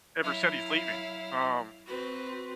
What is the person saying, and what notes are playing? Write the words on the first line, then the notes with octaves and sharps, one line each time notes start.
ever said he's leaving." Um
F#3 E4 F5
C4 F#4 B4